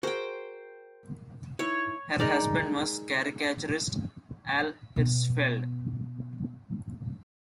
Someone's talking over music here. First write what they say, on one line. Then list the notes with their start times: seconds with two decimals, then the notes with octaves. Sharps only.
Her husband was caricaturist Al Hirschfeld.
0.03 F#4 G#4 A#4 C5 G5
1.59 D#4 E4 B4 C#5
2.20 G#3 D#4 A#4 D5
4.96 B2 B3